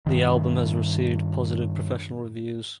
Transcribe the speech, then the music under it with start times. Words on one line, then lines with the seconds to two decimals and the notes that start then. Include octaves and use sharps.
The album has received positive professional reviews.
0.06 G2 D#3